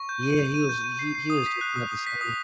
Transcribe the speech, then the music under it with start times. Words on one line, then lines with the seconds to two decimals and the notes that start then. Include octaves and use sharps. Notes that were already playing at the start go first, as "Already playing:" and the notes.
Yeah, he was he he was just not the same.
Already playing: C#6
0.09 G6
0.23 D#7
0.39 G6
0.54 D#7
0.69 G6
0.84 D#7
0.99 C7
1.15 C7
1.30 D#6
1.46 B6
1.61 F#6
1.76 D#6
1.91 D#6
2.07 B6
2.21 D#6